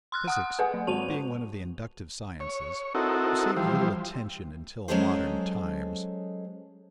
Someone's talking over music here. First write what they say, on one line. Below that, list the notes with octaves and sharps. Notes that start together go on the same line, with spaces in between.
Physics, being one of the inductive sciences, received little attention until modern times.
C6 F6 F#6
F#5 D#6 F#6
G#4 B4 F#5 G#5
F#3
G#1 A5 D#7 F7
C#5
C4 D#4 E4 F#4 A4 A#4
E3 F3 G3 C5
F#3 G#3 C#4 G#4 A4 C5